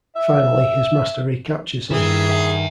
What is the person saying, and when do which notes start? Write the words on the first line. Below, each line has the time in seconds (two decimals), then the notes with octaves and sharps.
Finally, his master recaptures him.
0.16 E5
1.91 G2 D#3 E4 G#4 B4
2.30 E5 F#5